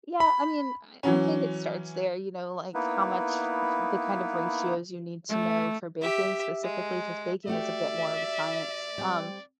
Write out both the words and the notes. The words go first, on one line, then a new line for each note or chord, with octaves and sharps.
Yeah, I mean, I I think it starts there, you know, like how much f the kind of ratios you need to know for baking, specifically, 'cause baking is a bit more of a science, um,
B5
E3 F#3 C#4
A#3 B3 D#4 E4 B4
A3
G4 E5
G#3
A3 F#4 G4 D5 E5
G3 C4